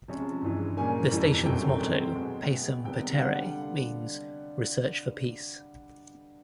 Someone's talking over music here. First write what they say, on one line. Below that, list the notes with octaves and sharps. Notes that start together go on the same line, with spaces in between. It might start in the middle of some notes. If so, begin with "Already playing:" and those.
The station's motto "Pacem Petere" means "Research For Peace".
C3 F3 G#3 C#4
G2 E3 G#3
A#2 G3 A#3 C#4 G#5
F2 C3 E3 G3
F#2 D#3 F#3 A3 C4 G5
B2 G#3 C4
B2 G#3 B3
B2 G#3 B3
C3 D#3 G3 B3 G5
F5
D3 G3 B3 F#5